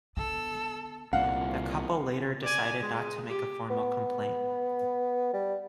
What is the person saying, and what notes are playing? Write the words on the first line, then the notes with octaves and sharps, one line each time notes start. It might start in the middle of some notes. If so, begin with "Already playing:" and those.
The couple later decided not to make a formal complaint.
D3 B3 A4 E6
C2 A#2 F5 F#5
D5 G#5
G#3
G4
B3
G3